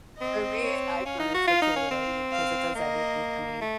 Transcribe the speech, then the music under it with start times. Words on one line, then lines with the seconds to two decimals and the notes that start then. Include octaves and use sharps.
For me, an iPhone is the tool that I need 'cause it does everything for me.
0.20 C4 D#5
0.63 C#5
1.06 C#4 F5
1.20 D#4
1.34 F#4
1.48 F4 F5
1.62 D#4
1.76 C#4
1.91 C4
2.34 F5
2.75 A#3 D#5
3.61 A3